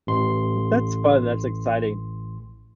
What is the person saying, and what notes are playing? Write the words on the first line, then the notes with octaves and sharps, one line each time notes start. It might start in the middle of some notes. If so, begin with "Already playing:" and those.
That's fun, that's exciting,
A1 C6